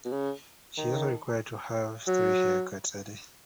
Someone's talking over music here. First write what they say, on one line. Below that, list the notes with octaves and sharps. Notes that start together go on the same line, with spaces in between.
She is also required to have three haircuts a day.
B2
C#3
D#3
F#3